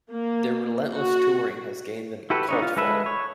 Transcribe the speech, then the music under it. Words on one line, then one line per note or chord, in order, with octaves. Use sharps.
Their relentless touring has gained them a cult following.
A#3
F#4
E4 F#4 G4 A4 B4
D4 D#4 C#5
F4
G#3 A4 B4 E5
C#5